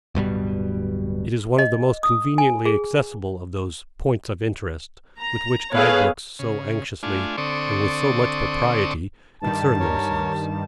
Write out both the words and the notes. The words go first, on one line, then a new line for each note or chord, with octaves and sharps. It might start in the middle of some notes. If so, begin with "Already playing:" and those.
It is one of the most conveniently accessible of those "points of interest" with which guide-books so anxiously, and with so much propriety, concern themselves.
D1 G2 B2 G3
D#5
D#6
G#5
G#4
A#5
B3 G#4 A4 B4 C#5 F5
C#3
A3 D4 F4 G#5
D3 C4 A4 D5 C#6 D#6
G2 D#3 G3 A5
A#4 C#5